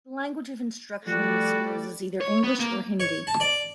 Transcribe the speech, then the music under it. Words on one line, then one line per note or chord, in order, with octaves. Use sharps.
The language of instruction in the schools is either English or Hindi.
F3 G3 A3 F#4 D5
C#5
B3
A#3
C#5
A5
D5